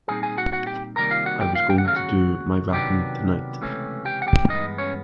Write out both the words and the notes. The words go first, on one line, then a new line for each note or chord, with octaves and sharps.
I was going to do my wrapping tonight.
A#2 G3 C4 D#4 G#4 G#5
G#4 G#5
F#4 F#5
F#4 F#5
G4 G5
C2 C3 D#3 G3 A#3 A#4 A#5
F4 F5
F#4 F#5
G4 G5
F4 F5
G5
F#5
D#2 C#3 F#3 A3 F5
F#4 F#5
C3 D#3 F#3 B3 D4 G4 G5
C#2 C3 E3 A3 C#4
G4 G5
F#5
G4 G5
G2 E3 G#3 B3 D#4 D#5
C#4 C#5